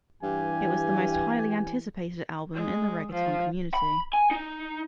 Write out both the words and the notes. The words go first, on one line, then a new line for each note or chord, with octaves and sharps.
It was the most highly anticipated album in the reggaeton community.
G2 E3 G4 G#5
G#3
F3
B5
G#5
D#4